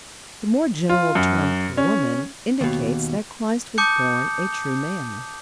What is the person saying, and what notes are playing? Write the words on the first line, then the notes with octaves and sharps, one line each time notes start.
The more general term "woman" indicates that Christ was born a true man.
F4
F#2
C#4
D#2 B2
A5 D6 D#6 G6 C#7